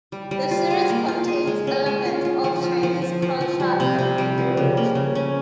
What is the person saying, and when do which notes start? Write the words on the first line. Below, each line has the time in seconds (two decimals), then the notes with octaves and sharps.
The series contains elements of Chinese culture and mythology.
0.12 G3
0.31 G3
0.51 F4
0.71 G#4
0.90 A#3
1.08 F4
1.28 G#4
1.47 G#3
1.67 C#4
1.86 G#3
2.05 F4
2.25 F4
2.44 F3
2.64 F4
2.83 F3
3.02 F3
3.22 F3
3.41 F3
3.60 G3
3.80 C3
3.99 C3
4.18 G3
4.38 F3
4.57 C#3
4.77 A#3
4.95 C#3
5.15 C#4